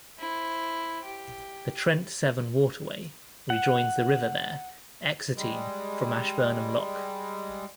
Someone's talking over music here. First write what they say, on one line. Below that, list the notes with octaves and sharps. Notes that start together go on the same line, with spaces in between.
The Trent-Severn waterway rejoins the river there, exiting from Ashburnham Lock.
E4 C5
G4
F#5
G3 G#3